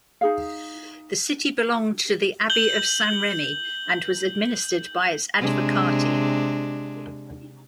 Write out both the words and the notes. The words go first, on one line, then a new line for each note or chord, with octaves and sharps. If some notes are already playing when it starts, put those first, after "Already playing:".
The city belonged to the Abbey of Saint-Remi and was administered by its advocati.
D#4 G#4 F5
G6 F#7 G7
C3 G#3 D4